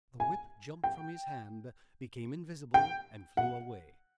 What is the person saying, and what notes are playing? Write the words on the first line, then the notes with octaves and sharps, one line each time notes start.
The whip jumped from his hand, became invisible, and flew away.
G#5
G5
G5
F#5